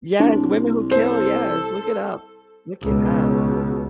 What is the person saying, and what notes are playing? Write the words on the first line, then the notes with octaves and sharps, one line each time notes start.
Yes, Women Who Kill, yes, look it up. Look it up.
C2 D4
A4 C5
C#2 B2